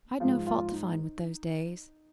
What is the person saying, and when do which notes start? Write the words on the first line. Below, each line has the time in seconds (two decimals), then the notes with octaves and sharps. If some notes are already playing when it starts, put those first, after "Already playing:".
'I'd no fault to find with those days.
0.20 G#2 F3 F4
0.47 F3 F4
0.72 D#4